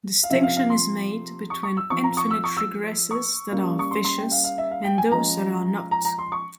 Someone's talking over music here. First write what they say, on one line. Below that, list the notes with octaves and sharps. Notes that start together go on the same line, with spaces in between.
Distinction is made between infinite regresses that are "vicious" and those that are not.
F5
C3 F3 C4 E5
F5
F5
C6
C#6
C#6
E6
F3 C4 C#6
A#5
C#6
E6
C#6
E6
C#6
C#3 G3 A#3
C#6
C6
C6
G5
F5
F5
E5
F5
G5
G#5
F3 G#3 C#4 A#5
A#5
A#5
C6
C#6